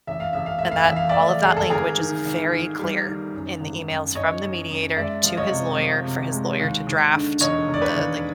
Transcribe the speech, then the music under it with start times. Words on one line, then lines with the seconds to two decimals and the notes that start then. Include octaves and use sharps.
And that all of that language is very clear in the emails from the mediator to his lawyer, for his lawyer to draft the, like,
0.07 A1 E5
0.20 F5
0.33 A1 E5
0.46 F5
0.58 A2 E5
0.72 F5
0.84 E5
0.89 E3
0.96 F5
1.09 D5 E5
1.16 A3
1.43 A3 G#4
1.57 A4
1.70 G#1 G#4 A#4
1.98 D#3
2.25 G#1
2.52 D#3
2.79 G3
3.06 D#3
3.34 F#2
3.61 G#1
3.88 F#2
4.15 F#2 C#5 D#5
4.42 F#2
4.69 F#2
4.96 G#3 D5 E5
5.24 F3
5.37 C#5 D#5
5.51 C3
5.78 F3
6.05 C3
6.32 G#3
6.59 D#2
6.87 D#2
7.13 D3
7.41 E1 C#5 D#5
7.68 E1
7.74 D5
7.82 B4 C#5
7.95 D#2